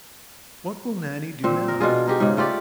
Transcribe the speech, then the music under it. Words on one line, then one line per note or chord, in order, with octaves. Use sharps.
What will Nannie do now?
A#2 C4
A#4
B2 D4 F4 G#4
D#4 G4 G#4
G#2 C#3
A3 F4 G4 D5